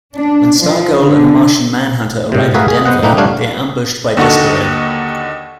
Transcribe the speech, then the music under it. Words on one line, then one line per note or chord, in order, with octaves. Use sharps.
When Stargirl and Martian Manhunter arrive in Denver, they are ambushed by Despero.
D4
F3
D3
G#2 C3
F#4 G#4 A#4 B4 E5 F5
G#4
B3 C5 D#5 F#5
A2 A#3 D4 D#4 B4 G5
G3 A3 D4 C#5 F5 F#5
D#2 D3 D#4 F#4 A4 C#6